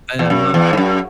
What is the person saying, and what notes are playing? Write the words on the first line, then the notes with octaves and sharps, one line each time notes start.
And I'm not
E2
F#2
E2
G#2
F#2